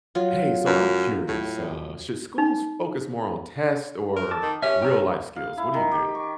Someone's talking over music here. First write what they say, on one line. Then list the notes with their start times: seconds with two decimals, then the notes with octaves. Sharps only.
Hey, so I'm curious, uh, should schools focus more on tests or real-life skills? What do you think?
0.15 F#3 F4
0.66 F#2
1.28 A2
2.38 D#4
4.17 A#4
4.31 A5 D6 E6
4.43 D#3
4.62 C#4 G4 E5
4.82 G5 A#5 E6
5.36 F5
5.57 E4
5.74 D#3
5.91 G4
6.15 C#6